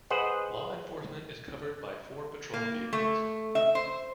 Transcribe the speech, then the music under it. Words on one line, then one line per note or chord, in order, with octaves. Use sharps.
Law Enforcement is covered by four patrol vehicles.
G#4 B4 C5 D#5 F#5
A#3
A3
E5
C5